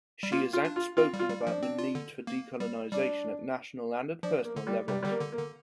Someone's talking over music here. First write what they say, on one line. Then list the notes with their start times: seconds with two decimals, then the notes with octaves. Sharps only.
She is outspoken about the need for decolonisation at national and at personal levels.
0.23 G3
0.32 A#3 F4
0.53 F4
0.65 D4
0.76 F4
0.97 C4 F4
1.13 G3
1.19 F4
1.30 G3
1.41 D4
1.47 F3
1.63 C4
1.79 F4
1.95 D3
2.27 A#3
2.60 G3
2.93 G3 D4
4.23 F3 D4
4.45 A#3
4.56 D3
4.67 G3
4.88 C3 G3
5.03 D3 G3
5.11 A#3
5.21 D3
5.32 A#3
5.37 D3